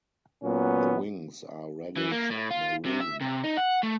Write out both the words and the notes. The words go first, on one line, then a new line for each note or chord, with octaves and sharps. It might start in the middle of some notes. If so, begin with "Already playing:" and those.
The wings are reddish maroon.
A#2 F#3 B3 C#4
E3
A#3
A2
F4
C3
E5
C3
D#4
F#5
A3